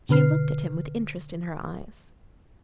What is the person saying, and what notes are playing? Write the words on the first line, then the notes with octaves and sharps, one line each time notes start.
She looked at him with interest in her eyes.
B2 D3 B4 F6 C7